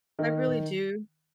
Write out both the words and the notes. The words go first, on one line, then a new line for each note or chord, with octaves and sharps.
I really do.
D#3